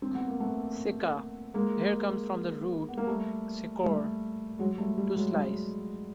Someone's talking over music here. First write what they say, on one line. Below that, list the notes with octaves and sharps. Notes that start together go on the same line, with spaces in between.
"Sica" here comes from the root "secor", "to slice".
C4
B3
A#3
A3 B3
G#3 A#3
B3
A#3
G3 A3
G3 A3
F#3 G#3
G3 A3
G3
F#3 G#3
G3